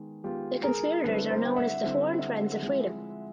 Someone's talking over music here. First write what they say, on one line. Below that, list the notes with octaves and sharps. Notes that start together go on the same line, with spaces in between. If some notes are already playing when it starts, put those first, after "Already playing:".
The conspirators are known as the Foreign Friends of Freedom.
Already playing: D#3 G#3 B3
D#3 G#3 B3 F4 G4
G#4 A#4
D3 G3 C4 E4 A4 B4
A#4 C5
G5
E5 F#5
D3 G3 C4 E4
F3 G#3 C4 E4